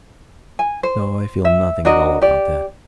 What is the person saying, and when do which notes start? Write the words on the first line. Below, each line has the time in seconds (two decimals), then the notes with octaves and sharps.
No, I feel nothing at all about that.
0.59 G#5
0.83 C5
1.45 E5
1.85 D4 F#4 A#4 D#5
2.22 G4 D5